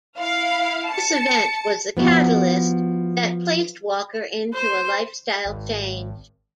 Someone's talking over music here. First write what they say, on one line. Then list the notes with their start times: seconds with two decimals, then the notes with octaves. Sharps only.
This event was the catalyst that placed Walker into a lifestyle change.
0.17 E4 F5
0.88 A5 C#7
1.97 F3 B3 E4 F#4
4.54 C5
5.45 G#1